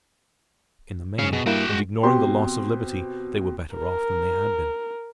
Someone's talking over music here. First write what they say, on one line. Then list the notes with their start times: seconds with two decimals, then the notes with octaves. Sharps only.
In the main, and ignoring the loss of liberty, they were better off than they had been.
1.19 G#2 C#3 C#4 G#4
1.33 B2 G#4
1.46 G2 A#3 E4 F#4 G5
1.70 G#3
2.03 B2 C4 G4 C6
3.75 A#4